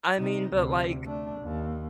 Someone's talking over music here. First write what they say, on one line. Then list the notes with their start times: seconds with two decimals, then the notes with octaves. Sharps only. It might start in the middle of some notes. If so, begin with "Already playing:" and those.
I mean, but like
0.18 C3 D#4
0.54 D2 C3
1.06 A3 D4
1.40 D#2